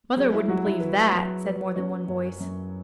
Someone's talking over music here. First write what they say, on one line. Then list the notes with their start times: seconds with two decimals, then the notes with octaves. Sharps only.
'Mother wouldn't believe THAT,' said more than one voice.
0.17 F#3 G#3
0.34 E4
0.48 F#3 F#4
0.65 E4
0.80 B4
1.12 F#3
1.45 B4
1.76 F#3 C#4
2.08 F#2
2.40 F#2